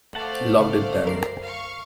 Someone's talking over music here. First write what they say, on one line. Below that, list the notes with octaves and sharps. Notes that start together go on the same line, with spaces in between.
Loved it then.
A3 C5 D5 F5 F#5 A5
C#3
F#2 A#4 C7
F5 C#6